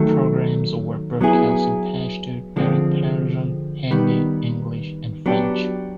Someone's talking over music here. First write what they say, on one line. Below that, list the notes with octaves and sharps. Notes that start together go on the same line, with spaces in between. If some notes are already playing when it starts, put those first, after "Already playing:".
Programs were broadcast in Pashto, Dari-Persian, Hindi, English, and French.
Already playing: D#3 F#3 A3
F#3 B3 E4 G#4
D3 F3 G#3 C4
D#3 G3 B3
F#3 B3 D4 G4